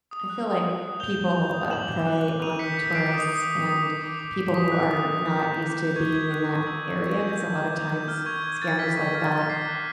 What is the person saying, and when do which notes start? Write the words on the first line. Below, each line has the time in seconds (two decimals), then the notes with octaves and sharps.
I feel like people, uh, prey on tourists and people who are not used to being in that area, 'cause a lotta times scammers like that
0.11 D#6
0.30 F#6
0.47 D#6
0.64 D#6
0.83 D#6
1.00 G6 F7 G7
1.19 G6
1.36 G6
1.53 D#6
1.71 D6 E7 F#7
1.89 D6
2.06 F#6
2.24 D6
2.42 D6 D#7 F7
2.59 G6 B6 C#7
2.77 G6 B6 C#7
2.95 D6 C7 D7
3.13 D#6
3.31 D#6
3.48 D#6
3.66 D#6
3.83 D6
4.01 D6
4.19 D6
4.37 D6
4.54 D#6 B6
4.72 F#6
4.90 D#6
5.07 D#6
5.25 G6
5.42 D6
5.60 D6
5.78 G6
5.96 C#6 G#6
6.14 C#6
6.31 F#6
6.49 C#6
6.67 E6
6.85 C#6
7.02 C#6
7.20 G6
7.38 G6
7.56 D6
7.73 G6
7.90 G6
8.08 F6
8.26 C#6 G#6
8.44 C#6 G#6
8.61 F6 A6
8.79 F6 B6
8.96 C#6
9.15 F6
9.32 F6
9.49 D6 C7
9.68 F#6